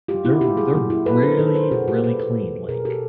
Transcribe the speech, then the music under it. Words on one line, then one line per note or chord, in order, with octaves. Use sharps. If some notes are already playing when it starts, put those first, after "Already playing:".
They're they're really, really clean, like
F4 G4
E4 F#4
F4 G4
F#4 G#4
A#2 F#3 A#3
E4 F#4
A4 B4
A#4 C5
A4 B4
A#4 C5
B2 G#3 F#4 G#4
F4 G4
A4 B4
A4 B4
B2 G#3 G#4 A#4
G4 A4